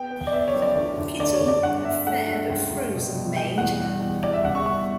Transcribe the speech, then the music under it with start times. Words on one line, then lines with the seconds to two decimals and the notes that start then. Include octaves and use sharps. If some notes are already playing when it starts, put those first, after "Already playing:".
Kitty, a fair but frozen maid.
Already playing: B3 G5
0.10 B3
0.27 D5
0.33 B3 E5
0.48 C#5
0.54 F#2
0.62 D5
0.76 D2
0.98 D2
1.20 D2 D5
1.34 C#5
1.41 D2
1.48 D5
1.62 G2 F#5
1.85 G2 E5
2.07 A3 F#5
2.28 G2
2.50 C#2
2.71 C#2
2.93 B2
3.14 B2
3.36 G3 G5
3.58 E2 F#5
3.80 G3
4.01 E2
4.23 G3 D5
4.33 E5
4.45 C#3 F#5
4.55 C#6
4.66 G3 C#6